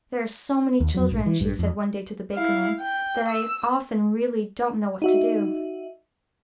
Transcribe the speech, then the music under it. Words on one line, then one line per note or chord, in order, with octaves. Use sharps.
"There are so many children," she said one day to the baker-man, "that I often really do n't know what to do!"
D#2
F2 F#3
A#1 G#2
E3
A#1 G2
F2
E4 F5
G5
E6
D#4 F#4 E5